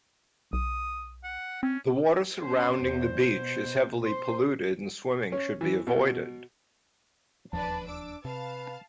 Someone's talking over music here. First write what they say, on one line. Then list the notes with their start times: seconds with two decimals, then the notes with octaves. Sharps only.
The water surrounding the beach is heavily polluted, and swimming should be avoided.
0.53 B1 D#6
1.24 F#5
1.63 C4 C#4
2.42 C#4 C5
2.85 E2 C5
3.20 B2
4.05 C5 C6
5.32 C#4
5.61 E3
5.87 B2
7.53 E1 D#2 F3 D4 B4 D5 A5
7.88 D4 D6 E6
8.25 C3 B4 F5 A5